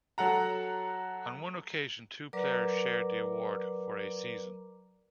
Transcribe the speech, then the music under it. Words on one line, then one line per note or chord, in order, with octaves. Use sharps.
On one occasion two players shared the award for a season.
F#3 A4 F#5 A#5
F#3 A#4 B4 D5 A#5 D6